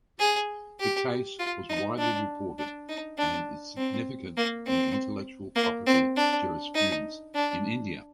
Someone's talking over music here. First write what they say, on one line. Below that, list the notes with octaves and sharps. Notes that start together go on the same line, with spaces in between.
The case was widely reported and is significant in intellectual property jurisprudence in India.
G#4
G4
F4
D#4
D4
D4
D#4
D4
C4
A#3
C4
A#3
C4
D4
D#4
D4